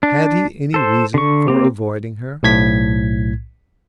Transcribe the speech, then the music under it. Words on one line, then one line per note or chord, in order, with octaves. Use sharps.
Had he any reason for avoiding her?
D4
A4 C5
D3 C#6
A#3 C4 G4
B1 A2 G#6 B6